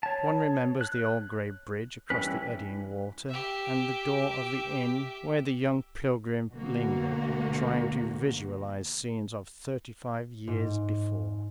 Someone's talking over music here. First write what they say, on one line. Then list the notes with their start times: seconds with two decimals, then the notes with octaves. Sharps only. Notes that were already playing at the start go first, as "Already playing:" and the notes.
One remembers the old gray bridge across the eddying water, and the door of the inn where the young pilgrim lingered, trying to visualize scenes of thirty-five years before.
0.03 C#5 A5
0.81 F#6
2.10 E3 G3 C#4 B4
3.28 G4 E5
6.51 D2 B2 D3 A3 A#3 F#4
10.47 G#2